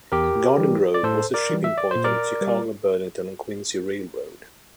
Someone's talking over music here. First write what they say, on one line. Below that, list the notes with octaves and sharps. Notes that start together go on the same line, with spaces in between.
Garden Grove was a shipping point on the Chicago, Burlington and Quincy Railroad.
E2 G4 A#4
E3 G3
D5
A2 A4 C5
A#4 D5
E3 G3
E5
D5
A#2 C5
A#4 D5
G3